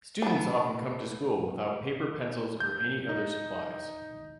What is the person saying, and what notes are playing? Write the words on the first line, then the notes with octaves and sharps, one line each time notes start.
Students often come to school without paper, pencils, or any other supplies.
B3 D4
G6
D#4